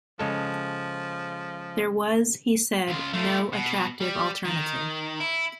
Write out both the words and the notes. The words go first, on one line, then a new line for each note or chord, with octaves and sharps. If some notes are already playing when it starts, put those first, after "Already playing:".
There was, he said "no attractive alternative".
C#3 F3 G#3 A4
C#2 F4
A3 F4
B2
G3
D#3
E4